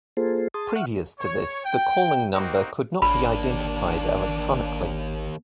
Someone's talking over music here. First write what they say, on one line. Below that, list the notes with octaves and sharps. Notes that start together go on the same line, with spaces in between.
Previous to this, the calling number could not be identified electronically.
A#3 F4 G#4 A4 C5
G#4 A5 C6 D#6
E5 F#5 C#6 F6 F#6
C#5
G5
A#3 C4 D#4 F#4 G4 A#4
G#1 D#2 A#3 D4 B5